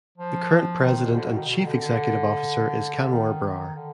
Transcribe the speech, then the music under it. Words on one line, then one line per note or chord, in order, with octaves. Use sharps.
The current President and Chief Executive Officer is Kanwar Brar.
F3
D#3
B2
D3
B2
D#3
B2
D#3
D3
D3
D#3
D3